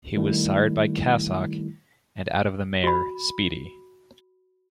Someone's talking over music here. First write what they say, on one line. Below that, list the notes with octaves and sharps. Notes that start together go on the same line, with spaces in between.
He was sired by Cassock and out of the mare, Speedy.
D#3 G3 A3 E4
F#4 B5